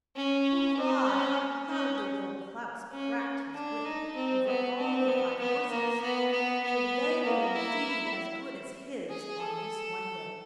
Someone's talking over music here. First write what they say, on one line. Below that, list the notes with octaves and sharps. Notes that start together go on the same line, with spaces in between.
Hurrah! how loudly Little Klaus cracked his whip over all the five horses! for they were indeed as good as his on this one day.
C#4
C4
C#4
C#4
C#4
D4
D#4
C4
B3
C4
B3
B3
A#3
B3
B3
B3
A#3
E4
G#4
A4